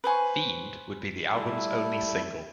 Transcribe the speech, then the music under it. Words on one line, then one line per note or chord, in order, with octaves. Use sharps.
"Fiend" would be the album's only single.
B4 C5 G#5 C#6
G3 A3 E4